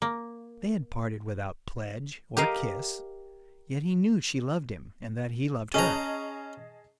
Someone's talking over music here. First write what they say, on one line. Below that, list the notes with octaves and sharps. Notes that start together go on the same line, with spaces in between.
They had parted without pledge or kiss, yet he knew she loved him and that he loved her.
A#3
G4 A#4 D#5 F5
C#4 G#4 D#5 A5 A#5